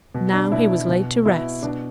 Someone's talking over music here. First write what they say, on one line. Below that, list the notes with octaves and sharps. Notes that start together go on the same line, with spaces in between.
Now he was laid to rest.
B2
D4
B2 E4
B2
B2 E4
B2 D4